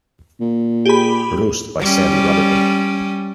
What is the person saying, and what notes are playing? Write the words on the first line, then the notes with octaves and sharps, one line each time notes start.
Produced by Sandy Roberton.
A#2
G4 G#4 B5
G3 C#4